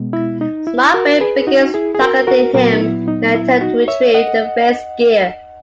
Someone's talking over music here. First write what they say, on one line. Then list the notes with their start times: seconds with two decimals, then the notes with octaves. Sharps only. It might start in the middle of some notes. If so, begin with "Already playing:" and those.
Smart Brain begins targeting him in an attempt to retrieve the Faiz Gear.
Already playing: B2 G#3 B3
0.13 E4
0.41 D#4
0.67 E4
0.94 F#4 A#4
1.21 G#4 B4
1.47 D#4 F#4
1.74 E4 G#4
1.95 G#4
2.01 F#4 A#4
2.27 F#4 A#4
2.54 A#2 F#3 B3 F#4 A#4
2.73 D#4
2.81 E4
3.08 D#4
3.35 E4
3.61 D#4 F#4
3.88 C#5 E5
4.14 D#5 F#5